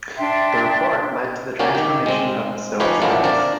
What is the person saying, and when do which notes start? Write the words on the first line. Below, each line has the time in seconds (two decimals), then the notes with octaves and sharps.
The report led to the transformation of the civil service.
0.17 D4 E5 G5 C6
1.59 F#3 A#3 C#4 D4 G4
1.75 D#3 G4
2.06 G#3 C4
2.80 F3 C#4 D#4 G4 B4 C#5
3.02 A1 F#3 A3 A#3 D4 F4
3.24 C4 D4 A#4 D5